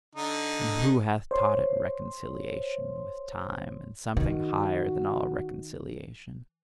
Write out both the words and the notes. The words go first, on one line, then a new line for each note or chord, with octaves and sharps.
And who hath taught it reconciliation with time, and something higher than all reconciliation?
D3 D#4
C5 C#5 C6
D#3 F#4